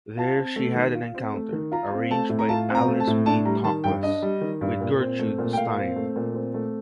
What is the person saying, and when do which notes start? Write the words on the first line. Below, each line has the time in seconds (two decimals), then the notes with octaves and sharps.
There she had an encounter, arranged by Alice B. Toklas, with Gertrude Stein.
0.17 F4 A5
0.37 C4
0.56 A3
0.75 D#3
0.95 F4
1.14 C4
1.34 A3
1.52 D#3
1.72 F4 A#5
1.91 C4
2.11 A3 A5
2.29 A2
2.39 A#5
2.49 F4 A5
2.69 C4
2.75 A#5
2.88 A3
3.00 A5
3.07 A2
3.26 D4 A5
3.45 G3 A#5
3.64 D#3 A5
3.84 G2 G5
4.03 D4 D#5
4.22 G3
4.41 D#3
4.61 G2
4.80 A#2
4.99 C4
5.19 A3
5.38 A#2
5.53 G5
5.57 A#2 F5
5.77 C4
5.96 A3
6.16 A#2
6.34 C4
6.54 A3